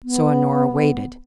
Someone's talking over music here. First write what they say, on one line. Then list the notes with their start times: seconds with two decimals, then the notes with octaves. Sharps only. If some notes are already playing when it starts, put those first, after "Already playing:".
So Honora waited.
0.04 B3